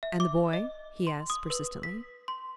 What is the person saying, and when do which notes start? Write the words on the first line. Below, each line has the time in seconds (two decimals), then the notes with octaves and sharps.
"And the boy?" he asked, persistently.
0.03 E5
0.20 D6
0.53 D#5
1.07 C6
1.30 D#6
1.50 B4
1.83 B6
2.28 C6